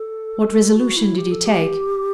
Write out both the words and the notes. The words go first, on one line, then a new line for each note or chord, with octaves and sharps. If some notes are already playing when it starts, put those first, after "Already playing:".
What resolution did he take?
Already playing: A4
F#4
E4
G4
A4
G4